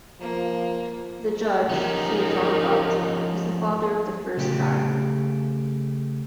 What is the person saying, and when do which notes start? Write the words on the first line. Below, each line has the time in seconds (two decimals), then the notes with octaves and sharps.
The judge Sir John Dodson was the father of the first Baron.
0.21 F3 A#3
1.69 F3 C#4 D#4 G4 A#4
4.37 C#3 A3 G4